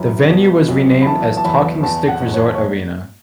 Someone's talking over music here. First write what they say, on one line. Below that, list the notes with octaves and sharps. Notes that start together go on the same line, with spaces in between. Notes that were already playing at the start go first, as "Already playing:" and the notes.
The venue was renamed as Talking Stick Resort Arena.
Already playing: F#2 E3 B5
B2
B1
B5
E3 A5
A5
E2 B5
E2 A5
F#5
F#1
C#5
C#5